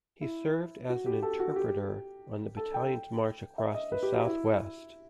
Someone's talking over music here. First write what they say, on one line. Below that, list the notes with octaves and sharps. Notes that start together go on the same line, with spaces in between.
He served as an interpreter on the Battalion's march across the Southwest.
E4
F#4
G4
A4
F#4
G4
A4
G5
E5
D#5
B4
G4
F#4
E4